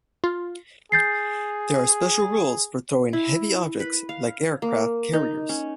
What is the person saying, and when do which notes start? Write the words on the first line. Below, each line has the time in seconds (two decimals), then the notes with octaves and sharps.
There are special rules for throwing heavy objects like aircraft carriers.
0.24 F4
0.92 G#4 G6 A6 C7
3.13 E4
3.80 B4
4.09 F5
4.62 A#3
5.13 D#4
5.49 C#4